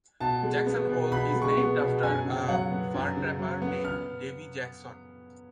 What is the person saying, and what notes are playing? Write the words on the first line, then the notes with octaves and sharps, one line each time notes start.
Jackson Hole is named after a fur trapper named Davey Jackson.
B2 A5
G#3
B3
B2
B2 B5
G#3
C#6
B3
B2
F#2 G#5
C#3
F#3 F#5
B3
F#2
C#3
F#3
B3
F6